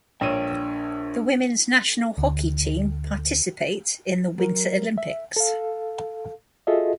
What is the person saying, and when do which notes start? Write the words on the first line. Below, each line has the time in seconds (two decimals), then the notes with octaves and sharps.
The women's national hockey teams participate in the Winter Olympics.
0.21 A#1 D4 C#5 G5 D#7
2.18 D2
4.38 F#3 A#4
4.98 E5
5.36 A4 F5
6.67 F4 F#4 G#4 A4 D#5 E5